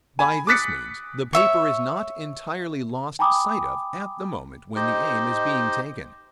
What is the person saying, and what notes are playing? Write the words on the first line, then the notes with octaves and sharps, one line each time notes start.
By this means, the paper is not entirely lost sight of at the moment when the aim is being taken.
G#5 B5
D6 D#6 F#6 A6 B6 C#7
C#5 E5 C#6
G5 G#5 A#5 B5 D6 D#6
D#4 G4 C5 D#5